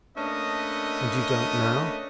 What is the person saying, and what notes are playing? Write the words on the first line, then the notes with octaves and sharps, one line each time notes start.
"And you don't now?"
A3 A#3 C#4 D4 B4 D#5